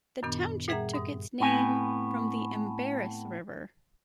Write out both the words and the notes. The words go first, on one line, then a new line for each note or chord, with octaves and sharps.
The township took its name from the Embarrass River.
F#2 A#2 D#3 B3 D4
A#2 G3 G#4 E5 F#5 A#5
G2 D#6
A2 B3 C4 G#5